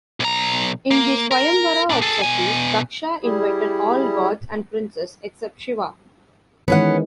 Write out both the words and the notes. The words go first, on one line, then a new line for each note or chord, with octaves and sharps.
In the Swayamvara of Sati, Daksha invited all gods and princes except Shiva.
B1 A#5
A#3
A#4
A#2 D4
G#4 A4
B2 G#5
G3 E4 G4 G#4
D#3 E3 G#3 B3 C#4 F#5